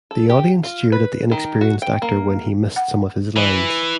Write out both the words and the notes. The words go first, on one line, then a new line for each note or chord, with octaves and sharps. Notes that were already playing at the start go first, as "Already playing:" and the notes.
The audience jeered at the inexperienced actor when he missed some of his lines.
A4
G4
F4
B4
D#3
F#4
G5
A#3
F#5
E3